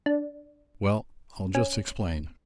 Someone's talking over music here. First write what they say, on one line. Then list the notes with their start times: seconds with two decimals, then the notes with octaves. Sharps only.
Well, I'll just explain.
0.06 D4
1.55 C#4